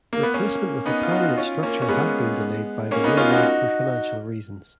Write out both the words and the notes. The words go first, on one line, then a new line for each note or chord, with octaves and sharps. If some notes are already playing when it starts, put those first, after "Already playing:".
Replacement with a permanent structure had been delayed by the railroad for financial reasons.
A#3
B3
A#3 C#4
B3 D#4
F4
D#4 F#4
C#4 F4
A#3 C#4
C#4
G#3 B3
A#3 C#4
B3 D#4
C#4 F4
D#4 F#4